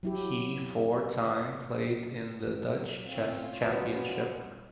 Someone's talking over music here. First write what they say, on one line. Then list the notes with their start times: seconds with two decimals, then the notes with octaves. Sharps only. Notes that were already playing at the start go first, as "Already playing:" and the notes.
He four time played in the Dutch Chess Championship.
0.03 F#3 E4 G4
2.55 F#3
3.08 C4 C#4 F4
3.64 B2 F#3 G3 B3